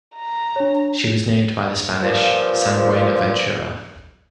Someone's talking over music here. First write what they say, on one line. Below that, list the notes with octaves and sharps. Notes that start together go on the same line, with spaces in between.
She was named by the Spanish "San Buena Ventura".
A#5
D4 C#5
G2 A#2 F3